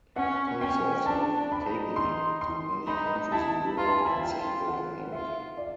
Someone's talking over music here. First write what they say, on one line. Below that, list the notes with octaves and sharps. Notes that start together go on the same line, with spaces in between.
Concerts have taken him to many countries in Europe and Central America.
C#4 F#5
C#4 G5
D4 A5
D4
B5
D#4
C6
C6
D#4 B5
E4 A5
F4 A#5
A5
G#5
E4 A5
G5
F4
F#5
F4 E5
D5